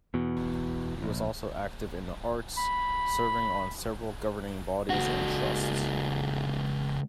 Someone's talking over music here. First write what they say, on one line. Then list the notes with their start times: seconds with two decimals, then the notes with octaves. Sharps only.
He was also active in the arts, serving on several governing bodies and trusts.
0.14 E2 B2
1.02 A#1
2.57 B5
4.90 C#2 F#4